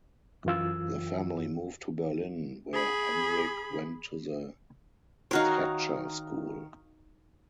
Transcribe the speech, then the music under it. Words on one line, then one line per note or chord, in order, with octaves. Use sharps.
The family moved to Berlin, where Henrik went to the Tretscher School.
F#2 E3 F4 E6
G#4 B5
D#3 D#4 F#4 A#4 C#5 F5